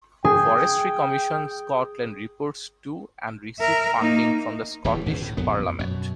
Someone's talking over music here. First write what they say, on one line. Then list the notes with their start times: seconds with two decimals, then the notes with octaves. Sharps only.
Forestry Commission Scotland reports to, and receives funding from, the Scottish Parliament.
0.25 G#4 G5
3.59 A#4 E5
3.98 A#3 D#4
4.84 D1 A1 A2 E3
5.06 G#1 D2 G2 E3
5.22 A2
5.37 A#1 F2 B3
5.79 F#2 B2